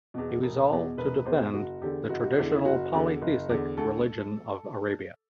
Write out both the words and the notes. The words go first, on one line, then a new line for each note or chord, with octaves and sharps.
He resolved to defend the traditional polytheistic religion of Arabia.
E2 B2
E1
E2 B2
E1 B4
E2 B2 C5
F#1 F#4
E2 D3 G4
F#1 F#4
G4
F#4
E2 D3 E4
E4
F#1 F#4
E2 D3
F#1
E2 D3
D2 A4